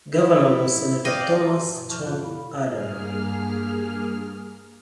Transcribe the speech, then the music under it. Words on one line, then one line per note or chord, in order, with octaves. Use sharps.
Governor was Senator Thomas "Tom" Ada.
E4
D5 D#5 F5 G5
F#4 C5 A5 A#5 C6
G2 E4
B2 F3
E5 A5 C#6 D6 F6 G6
G2 F4 F5 F#6 G6
B3 E4 G4 A4 F5 B5
G2 A#3 G#4 F6